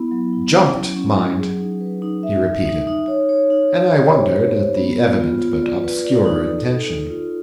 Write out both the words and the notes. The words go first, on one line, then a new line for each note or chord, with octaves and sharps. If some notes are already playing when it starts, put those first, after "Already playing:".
"Jumped--mind!" he repeated, and I wondered at the evident but obscure intention.
Already playing: B3 E4
F#3
E4
C#4
F#3
C#4
F#3
G#4
D#4
B4
D#4
E5
E5
D#4
D#4
C#5
C#5
D#4
C#5
G4
C5
C5
C5
B3
F4
F4
F4
D5
B4
D5
D#4
A4
A4
A4
F4